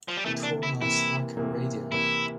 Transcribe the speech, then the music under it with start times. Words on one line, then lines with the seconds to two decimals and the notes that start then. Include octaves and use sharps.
Turn on Slacker radio.
0.08 F3
0.17 G3
0.25 C3 E3 A3 A#3
0.43 D4
0.63 E4
0.81 C3 E3 A#3 E4
1.37 C3 E3 A#3
1.92 C3 E3 A#3 E4